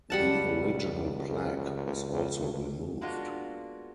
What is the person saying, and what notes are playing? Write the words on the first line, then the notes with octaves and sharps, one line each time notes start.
The original plaque was also removed.
C#2 G3 F#5 A5
G#3 A#3 B3 D4 F4 F#4